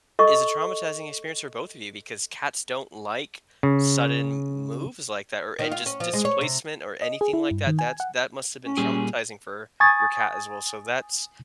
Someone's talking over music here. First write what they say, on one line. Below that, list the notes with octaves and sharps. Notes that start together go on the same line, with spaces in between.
is a traumatizing experience for both of you because cats don't like sudden m moves like that or an just displacement or anything like that. That's that must have been traumatizing for your cat as well, so, that's
A4 D#5 C#6
C#3
D#3
F4
C#4
F3
G#3
C#5
C3
D#5
G#4
E4
G2
D#3
G#5
F#5
C#4
A#2 G3 G#4
G#5 C#6 D#6 G#6 A6